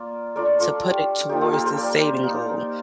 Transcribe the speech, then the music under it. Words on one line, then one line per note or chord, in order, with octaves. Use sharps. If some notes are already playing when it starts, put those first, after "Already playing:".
To put it towards the saving goal.
Already playing: A#3 F4 D5
A3 D4 F4 A#4 D5
F4 A4
G4
F3 A#3 D#4 G4
F4 A4
G4 A#4
A4 C5
A#4 D5
A#3 D#4